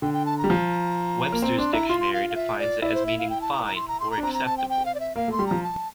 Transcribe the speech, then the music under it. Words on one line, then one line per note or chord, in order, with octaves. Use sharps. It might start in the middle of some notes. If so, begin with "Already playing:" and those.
Webster's Dictionary defines it as meaning "fine" or "acceptable".
D3 G5
G5
A5
A#5
G3
F3
A#3
C4 A#5
D4 C6
E4 A#5
F4 C6
C6
F5
F5
E5
D5
E4 D5
C5
E5
F5
G5
A5
A#5
A#5
C6
A#5
C6
A#5
D4
C4 A#5
A#5
A5
G5
G5
F5
D5
E5
A#3 F5
A3 C6
G3
F3 A#5
A5